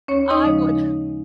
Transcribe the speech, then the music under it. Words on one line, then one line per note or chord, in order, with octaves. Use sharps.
I would
D#2 C#4 C#5
D#4 D#5
C#3 F3 G#3